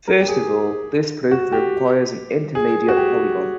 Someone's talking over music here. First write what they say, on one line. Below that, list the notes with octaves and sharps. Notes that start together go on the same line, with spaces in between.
First of all, this proof requires an intermediate polygon.
A#4
G4
G#4
F#4
G4
G#4
F#4
G4